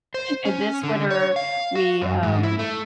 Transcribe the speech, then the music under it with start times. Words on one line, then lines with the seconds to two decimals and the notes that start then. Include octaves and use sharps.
and this winter, we, um
0.14 C5
0.45 C#4
0.83 D3
1.10 C#5
1.36 F5
1.75 F#4
2.02 F#2
2.23 G#2
2.43 E4
2.59 A3